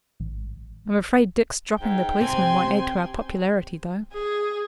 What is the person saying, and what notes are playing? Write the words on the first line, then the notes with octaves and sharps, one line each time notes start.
I'm afraid Dick's dropping the policeman won't add to our popularity, though.'
A1
G#2 G5
C3 C4 G#5 C6
G#4